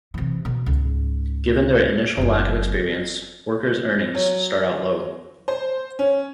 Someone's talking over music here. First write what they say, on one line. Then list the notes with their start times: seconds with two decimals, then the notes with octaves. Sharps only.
Given their initial lack of experience, workers' earnings start out low.
0.14 C3 E3
0.45 B2
0.66 C#2 G#2
2.17 F#1 B3
4.15 F#3
5.48 C5
5.99 C#4